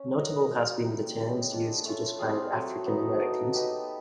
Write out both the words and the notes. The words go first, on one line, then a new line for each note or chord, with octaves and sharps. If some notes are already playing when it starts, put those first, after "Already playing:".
Notable has been the terms used to describe African-Americans.
Already playing: C#4
A#3 D#4 F#4 A#4
D#4 F#4 A#4
C#4 E4 G4 C5
G#3 C#4 E4 G4
D4 F4 G#4
A3 C#4 F4
G3 C4 F4 G#4
F#3 A3 C4
F#3 B3 D#4
B3 D#4 F#4 A4
D#4 G4 B4 D#5